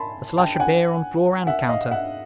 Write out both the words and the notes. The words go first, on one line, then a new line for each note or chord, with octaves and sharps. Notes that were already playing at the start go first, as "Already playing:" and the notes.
A slush of beer on floor and counter.
Already playing: G#5 A5 B5 C6
G5 A5
G5
F#5 G#5
E5 F#5
D#5 F5
E5 F#5